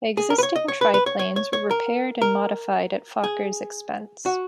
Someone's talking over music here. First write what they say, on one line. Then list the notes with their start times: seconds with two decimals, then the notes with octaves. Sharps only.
Existing triplanes were repaired and modified at Fokker's expense.
0.17 G#4
0.30 A#4
0.38 B4
0.43 C#5
0.56 D#5
0.68 C#5
0.81 B4
0.94 B4
1.06 C#5
1.19 C#5
1.36 C#5
1.53 C#5
1.71 A#4
2.22 A#4
3.24 G#4
4.26 F#4